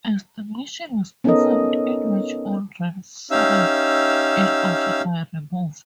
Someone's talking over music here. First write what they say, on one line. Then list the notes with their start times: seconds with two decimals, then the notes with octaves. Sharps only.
A simulation was performed in which all rainforest in Africa were removed.
1.24 B3 C#4 D#4 A4 A#4 D#5
3.31 C#4 D#4 G4 E5 F5 E6